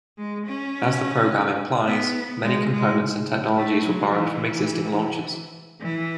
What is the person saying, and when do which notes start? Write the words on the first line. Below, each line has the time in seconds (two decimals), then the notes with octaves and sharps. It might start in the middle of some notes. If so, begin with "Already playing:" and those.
As the program implies, many components and technologies were borrowed from existing launchers.
0.18 G#3
0.47 C#4
1.87 B3
2.43 G#3
2.72 G#3
3.57 A3
3.85 F#3
4.12 E3
5.81 E3